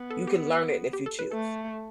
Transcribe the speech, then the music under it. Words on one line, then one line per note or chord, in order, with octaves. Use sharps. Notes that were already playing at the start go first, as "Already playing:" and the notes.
You can learn it if you choose.
Already playing: B3
A4
G4
G4
A4
B4
A3 A4